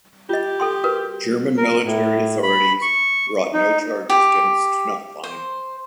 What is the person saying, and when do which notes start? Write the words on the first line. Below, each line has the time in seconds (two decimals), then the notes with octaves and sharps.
German military authorities brought no charges against Knochlein.
0.29 F4 G4 D#5
0.60 A4 G5 C6
0.84 F#4 A#4 B4
1.57 A#4
1.85 A2
2.43 B5
2.82 C#6
3.53 D#4
4.09 G4
5.23 C5